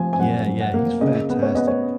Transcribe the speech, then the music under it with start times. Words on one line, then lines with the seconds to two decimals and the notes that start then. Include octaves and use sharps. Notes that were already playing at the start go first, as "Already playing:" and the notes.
Yeah, yeah, he's fantastic.
Already playing: F3 F5 G#5
0.13 G#5
0.20 F#2 F#5
0.47 F#2
0.61 F#5
0.74 A#3
1.01 C#3 D#5
1.30 B3
1.43 C#5
1.55 B3 D#5
1.67 C#5